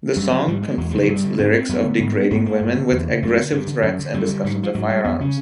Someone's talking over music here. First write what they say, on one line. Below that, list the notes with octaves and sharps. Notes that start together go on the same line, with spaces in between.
The song conflates lyrics of degrading women with aggressive threats and discussions of firearms.
F#2 G3
D3 F#3
G#2 G3
G#3
E2 G#3
C#3 G3
F#3
G2
G3
D3
G#2 C4
C4
F#2 B3
D3
G#2
G#2 B3
A#3
G2
D3
E2
C#3
F#2 A3
D3
G2
D3
F#2
D3
F#2 G3
D3
G#2
F3
G#2 F#3
G3
F2 B3
C#3 C#4